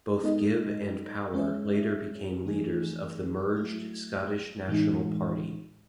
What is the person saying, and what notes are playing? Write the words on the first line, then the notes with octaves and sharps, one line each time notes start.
Both Gibb and Power later became leaders of the merged Scottish National Party.
G#3 B3 D#4 A4 D#5
G#3 C#4 G#4 C#5 E5
E3 A3 D#4 G#4
F#3 A3 E4
A2 E3 G#3 D#4